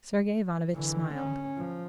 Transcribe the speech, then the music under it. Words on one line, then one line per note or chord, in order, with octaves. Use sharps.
Sergey Ivanovitch smiled.
D3 E3
C#4
F3